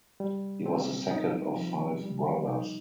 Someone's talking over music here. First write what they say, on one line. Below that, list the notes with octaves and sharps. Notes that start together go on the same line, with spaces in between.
He was the second of five brothers.
G3
C4
D#4
F3
G3
D#4